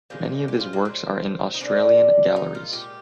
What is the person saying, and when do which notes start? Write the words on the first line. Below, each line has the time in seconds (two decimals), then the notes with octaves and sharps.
Many of his works are in Australian galleries.
0.10 A#2 F3 G#3 G4
0.48 G4
0.60 F4
0.73 A#3
0.85 C4
1.54 D#4
1.61 A#2 G#3 D4
2.36 D#4
2.55 F4
2.73 G4